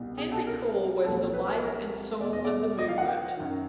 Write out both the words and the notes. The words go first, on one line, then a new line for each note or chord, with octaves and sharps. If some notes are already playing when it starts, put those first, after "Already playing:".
Henry Cole was the life and soul of the movement.
Already playing: C2 B2
G#4
A4
A#4
C2 A#2 F3 A4
B4
A4
A#4
E2 B2 D5
D#5
D5
D#5
F5
F#5
G5
F#2 D#3